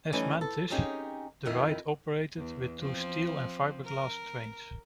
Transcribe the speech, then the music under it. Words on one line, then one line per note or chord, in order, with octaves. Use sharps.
As Mantis, the ride operated with two steel and fiberglass trains.
E3 G3 A3 C#4 D#4
A4
C4 C#4 D#4 G4 G#4
F2 D#3 E4
E2
F3 C4
A#4